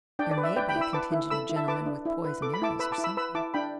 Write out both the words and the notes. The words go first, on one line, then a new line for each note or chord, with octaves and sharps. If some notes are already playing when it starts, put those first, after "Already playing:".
"There may be a contingent of gentlemen with poisoned arrows or something."
D4 D5 G5
D5
B4
E5
B4 D5 G5
G5 B5
E4
B5 E6
B4 A5 D6
E4
A4 B5 E6
E4
E5 A5
B4 A5 D6
D4
E4
B4
A4 D6
B5
E4 A5 D6
B4 B5 E6
A5 D6
E4
B5 E6
B4 B5 E6
E4 A5 D6
D4 G5 B5